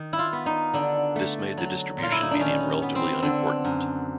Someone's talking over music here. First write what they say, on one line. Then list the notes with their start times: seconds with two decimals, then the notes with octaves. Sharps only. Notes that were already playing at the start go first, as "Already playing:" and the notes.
This made the distribution medium relatively unimportant.
Already playing: D#3
0.13 E4
0.19 F4
0.33 B3
0.46 D#4
0.73 D3 D4
1.16 A3
1.57 F#3
1.98 A#2 F4
2.12 E4
2.22 D#4
2.31 D4
2.40 D#3 C#4
2.82 B3
2.95 C4
3.22 D3 D4
3.64 F#2